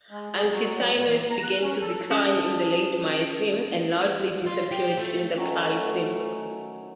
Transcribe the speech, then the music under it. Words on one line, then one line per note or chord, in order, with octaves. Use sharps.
Amphicyonids began to decline in the late Miocene, and largely disappeared in the Pliocene.
G#3
G#4
F#3
F#3
A#2
E3
A#5
F#6
C#4
A4
C#4 G#4 A5
F4
G4
A3
D#3 F#3 A3 C#4